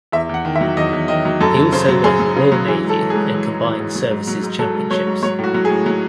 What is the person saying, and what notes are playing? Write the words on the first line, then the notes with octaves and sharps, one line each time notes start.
He also won the Royal Navy and Combined Services championships.
E2 E5
E2 F#5
D#3
E5
F#3
E2 D#5
E2
D#3 D#5
F#3
F#2 A4
F#2
C#3 C5
F#3
F#2 G#4
F#2
C#3
F#3
E3 G#4
G#2
A4
E3
G#4
G#2
E3
G#2
E3
G#2
F#3
G#2
F#3
G#2
F#3 A4
G#2
F#3 C#5
G#2
F#3 C#5
A2
F#4
F#3
G#4
A2
F#3